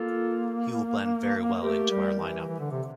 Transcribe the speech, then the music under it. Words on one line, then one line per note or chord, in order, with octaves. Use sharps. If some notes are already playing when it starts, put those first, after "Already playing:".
He will blend very well into our line-up.
Already playing: A#3 F4 A4
A3 G4 A#4
G3
E3
E3
D3
C3